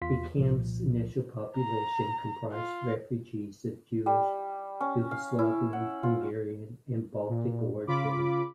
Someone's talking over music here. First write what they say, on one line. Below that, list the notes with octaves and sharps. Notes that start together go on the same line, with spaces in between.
The camp's initial population comprised refugees of Jewish, Yugoslavian, Hungarian, and Baltic origin.
E2 F4 F5 C6 B6
C2 A#2 F3
A#5
F4
G3
C#4
F5
E4
F#5
F4
A#2
C#3 F4 B5 D6